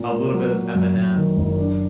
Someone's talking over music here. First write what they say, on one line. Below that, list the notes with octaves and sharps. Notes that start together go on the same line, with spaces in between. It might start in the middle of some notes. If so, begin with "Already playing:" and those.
a little bit of Eminem
Already playing: A#2
A#3
F#3
A#2
F#2
F#2
D#3
F#1
D4